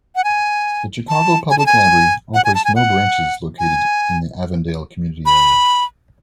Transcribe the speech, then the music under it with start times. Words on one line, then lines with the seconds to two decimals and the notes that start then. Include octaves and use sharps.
The Chicago Public Library operates no branches located in the Avondale community area.
0.16 F#5
0.24 G#5
1.08 A5
1.50 G#5
1.59 A5
1.66 G#5
2.34 F#5
2.45 G#5
2.55 A5
2.65 G#5
2.76 F#5
3.59 G#5
5.26 B5